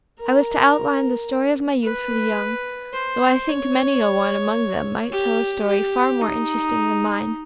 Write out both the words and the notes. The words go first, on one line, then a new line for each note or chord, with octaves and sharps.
I was to outline the story of my youth for the young, though I think many a one among them might tell a story far more interesting than mine.
A#4
B4
C5
C#5
G4
G4
D#4